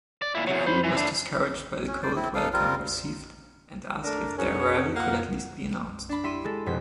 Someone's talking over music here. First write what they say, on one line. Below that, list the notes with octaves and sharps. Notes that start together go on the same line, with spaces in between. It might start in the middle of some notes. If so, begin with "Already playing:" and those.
The crew was discouraged by the cold welcome received and asked if their arrival could at least be announced.
D5
A#2 E4
E2 F#3
C5 B5
E3
D4 E4
C#4
C5 D5
C4 E4
D#4 A4 F5
G3 C4 F4 A#4
A3 D4 A#4
C#4 D4 F#4 G#4 A#4 C#5
A#3 F4 A#4 F#5
D4 B5
G3 E4 E5 C6 B6 D#7
G#3 A4
F1 F2 B2 C5 B6